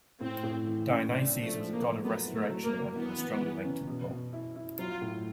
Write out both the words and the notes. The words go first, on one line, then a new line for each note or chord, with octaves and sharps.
Dionysus was a god of resurrection and he was strongly linked to the bull.
A2 C4
A2
E3
C#4
C4 D4
F3
A3
F3
A#3
A3
F#3 B3
E4
A3
F#3
A#3
F#3
E3 B3
E3
E3
C#4
B2
B2
E4
E4
F#3 F4
A2